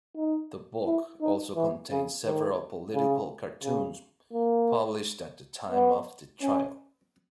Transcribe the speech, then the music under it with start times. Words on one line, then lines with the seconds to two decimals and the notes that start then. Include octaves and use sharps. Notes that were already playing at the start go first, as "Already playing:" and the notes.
The book also contains several political cartoons published at the time of the trial.
0.17 D#4
0.86 E4
1.21 D#4
1.56 E3
1.91 C#3
2.25 D#3
2.94 C#3
3.64 C#3
4.33 A#3
5.71 B3
6.42 C#4